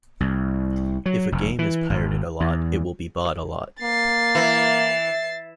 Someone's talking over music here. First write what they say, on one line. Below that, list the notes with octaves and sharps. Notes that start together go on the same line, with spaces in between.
If a game is pirated a lot it will be bought a lot.
C2
F#3
F1
E3
G#1
E2
A#3 A6 C7
E3